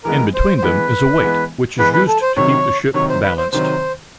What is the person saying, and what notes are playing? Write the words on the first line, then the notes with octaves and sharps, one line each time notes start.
In between them is a weight, which is used to keep the ship balanced.
E3 G#3 B3 A#4
C5
C5
E3 G#3 B3 B4
E3 G#3 B3
E3 G#3 B3 B4
B4
A4
C5
C3 D#3 F#3 C#5
C3 D#3 F#3 C#5
C5
B4
C5
C3 D#3 F#3 C5